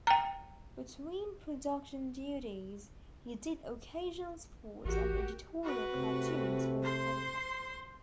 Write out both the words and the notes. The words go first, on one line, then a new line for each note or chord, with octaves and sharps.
Between production duties, he did occasional sports and editorial cartoons for the paper.
G5 A#5
A1 F#4 G4 A#4
F#4 B4
C3 A3 C4
C5 C6